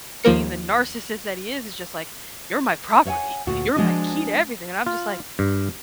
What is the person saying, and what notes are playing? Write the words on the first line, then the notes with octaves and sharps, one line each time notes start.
being the narcissist that he is, is just like, "You're my property. You're my key to everything." And I'm just like,
D#2 F3 A#3 A#4 C#7
C5 C#5 E5 F#5 G#5
D2 A#2 F#4
F3 G#3 D4 F#4 D#5
F4
G2